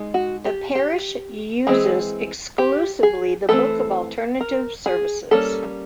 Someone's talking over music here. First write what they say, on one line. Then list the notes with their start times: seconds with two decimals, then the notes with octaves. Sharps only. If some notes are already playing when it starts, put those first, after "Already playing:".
The parish uses exclusively the Book of Alternative Services.
Already playing: G#3 D#4
0.14 F#4
0.45 G4
0.75 G4
1.67 E3 G#3 C4 G#4
2.58 G4
3.03 G#4
3.49 E3 A3 C4 A4
4.41 A#4
4.86 G#4
5.31 G3 A#3 C#4 A4